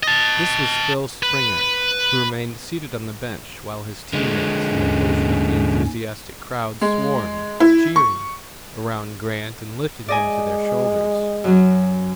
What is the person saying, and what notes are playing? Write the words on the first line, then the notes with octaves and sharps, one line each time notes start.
This was Phil Springer, who remained seated on the bench while his team-mates and a portion of the enthusiastic crowd swarmed, cheering, around Grant and lifted him to their shoulders.
D#5 A5
B4
D3 G#3
D#2 G#2 C#4
G#3
E4
C#6
G#3 D5 D#5 G#5
F#2 F#3